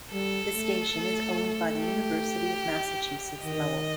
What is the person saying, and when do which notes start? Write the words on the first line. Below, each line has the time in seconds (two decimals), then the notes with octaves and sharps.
The station is owned by the University of Massachusetts Lowell.
0.12 G3 A4
0.54 A3
0.96 A3
1.78 G4
3.44 D#3 D#5